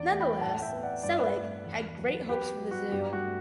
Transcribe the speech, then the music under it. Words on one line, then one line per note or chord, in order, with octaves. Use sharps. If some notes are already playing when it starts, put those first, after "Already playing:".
Nonetheless, Selig had great hopes for the zoo.
Already playing: E2 D5
A3
G5 B5
A2 F#5 A5
E5 G5
B3
D5 F#5
G2 D5
E5
B4 D5
A3
E2
F#3
B3 G4 B4
F#3
F#4
G2 G4
F#4
A3